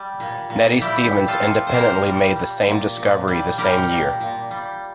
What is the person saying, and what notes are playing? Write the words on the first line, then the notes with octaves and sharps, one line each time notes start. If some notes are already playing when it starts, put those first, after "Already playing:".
Nettie Stevens independently made the same discovery the same year.
Already playing: G3
A#2
A#2
G3 E4 G4
G3
F4 A4
A#2
C5
A#2 G4 A#4
G3
G3
A#2
A#2
G3
G3 G4 A#4
A#2
A#2
G3